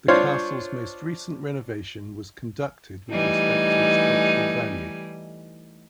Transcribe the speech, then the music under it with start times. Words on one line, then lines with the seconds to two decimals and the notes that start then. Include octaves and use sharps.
The castle's most recent renovation was conducted with respect to its cultural value.
0.08 D4 F4 C5 C#5
3.11 E3 G3 A3 D#4 G#5